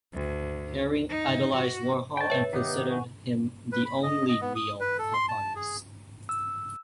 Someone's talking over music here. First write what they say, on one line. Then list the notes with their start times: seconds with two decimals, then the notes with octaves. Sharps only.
Haring idolized Warhol and considered him the only "real" Pop artist.
0.14 D2
1.10 D#4
1.54 F#4
2.17 C5 D#5 G5 A5 C#6
2.30 B4 C#5 E5
2.53 D#3 B3 D#4 G4 D6
2.89 F#5 G#5 C#6
3.72 B4
3.85 B5
4.03 D#5
4.29 D#5
4.41 B3
4.56 D#6
4.80 B4
4.98 A4
5.13 C6
5.29 A5
5.56 G#4
6.29 E6